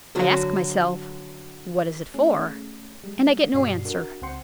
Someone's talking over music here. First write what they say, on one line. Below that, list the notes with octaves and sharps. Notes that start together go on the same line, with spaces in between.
I ask myself, What is it for? and I get no answer.
D3 F#3 F#4
A3 C#4 G#4
G3 G#3
G2 B2 G3 F#4 D5 C7
D4 F#4 A#4
C#2 C4 F#5 G5 C6 C#7